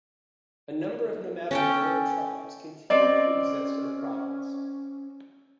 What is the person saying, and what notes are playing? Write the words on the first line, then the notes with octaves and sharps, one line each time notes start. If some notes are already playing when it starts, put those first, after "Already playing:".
A number of nomadic Lur tribes continue to exist in the province.
C#4 A4 G5
C4 C#4 D5 D#5